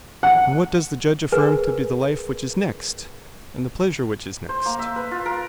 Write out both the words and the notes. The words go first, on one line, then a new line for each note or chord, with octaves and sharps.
And what does the judge affirm to be the life which is next, and the pleasure which is next?
F#5
G#4 A#4 B4 G#5 F6
C5
A#3
E5
B4
F4
A#4